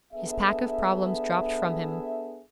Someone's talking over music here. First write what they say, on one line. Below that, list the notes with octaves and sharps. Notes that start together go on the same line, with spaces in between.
His pack of problems dropped from him.
B3 D4 G#4 A4 E5